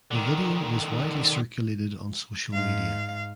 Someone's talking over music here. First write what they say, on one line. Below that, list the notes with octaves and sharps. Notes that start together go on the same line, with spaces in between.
The video was widely circulated on social media.
D3 D#3
G#2 F5